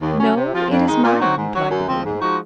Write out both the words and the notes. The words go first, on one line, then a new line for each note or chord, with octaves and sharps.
'No, it is mine,' replied the boy.
D#2
C#3 F#3 C#4
C3
F3 C4 F4
F2
D#3 G#3 D#4
A#2
F#3 C4 D#4 F#4
G#2
F#3 C#4 F#4
F#2
F3 G#3 C4
G#2
F3 G#3 D#4 F#4